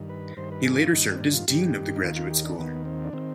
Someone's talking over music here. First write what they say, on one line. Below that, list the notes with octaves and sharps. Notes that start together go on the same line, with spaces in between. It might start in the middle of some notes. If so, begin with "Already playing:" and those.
He later served as dean of the graduate school.
Already playing: G2 D#3
B4
G2 D#3 C5
B4
G#4
F4
G2 D#3 D#4
D4
C4
D4
F4
G2 D#3 G4
D#4
D#2 D#3 F4
F4
G4
D4
D#2 D#3 B3
C4
D4
D#3 C4